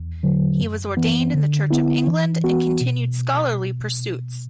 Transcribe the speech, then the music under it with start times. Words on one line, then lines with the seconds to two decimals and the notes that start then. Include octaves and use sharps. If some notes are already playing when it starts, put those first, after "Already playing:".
He was ordained in the Church of England and continued scholarly pursuits.
Already playing: E2
0.23 D3 F#3
0.60 F#2
0.97 E3 B3
1.34 D3
1.70 B3 E4
2.07 E3
2.44 B3 F#4
2.81 B2